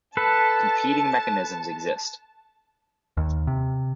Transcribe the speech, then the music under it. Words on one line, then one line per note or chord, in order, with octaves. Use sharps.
Competing mechanisms exist.
A4 B4 A5
D#2
C3